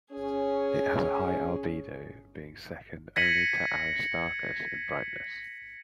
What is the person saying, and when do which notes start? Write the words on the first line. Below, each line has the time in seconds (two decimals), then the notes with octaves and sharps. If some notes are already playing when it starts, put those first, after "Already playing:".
It has a high albedo, being second only to Aristarchus in brightness.
0.12 C#4 G#4
3.16 G#6 A#6 B6 C#7 D#7 F#7